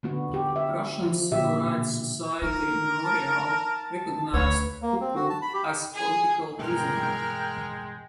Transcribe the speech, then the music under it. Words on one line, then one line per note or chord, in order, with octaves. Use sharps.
Russian civil rights society Memorial recognized Kuku as political prisoner.
D3 B3 F#4
G4
E5
F3
A#2 D3 G4 E5
B2
D#4 A#4
A5
D2 B4 C#5
A#3
C4
F#4
A5
B5
G4
G#4
G2 B2 E3 G#3 A#4 G5